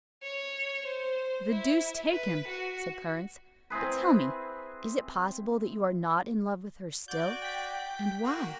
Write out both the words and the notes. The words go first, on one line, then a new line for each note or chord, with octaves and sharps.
"The deuce take him!" said Clarence: "but tell me, is it possible that you are not in love with her still?--and why?"
C#5
C5
E4
B4
F#4
C4 E4 G#4 B4
F#4 D5 G6
G5 B6
A#3 F#4 G5